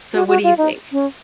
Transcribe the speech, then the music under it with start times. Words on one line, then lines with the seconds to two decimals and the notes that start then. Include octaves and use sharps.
So what do you think?
0.13 F#4
0.27 F#4
0.43 F4
0.58 D#4
0.92 C#4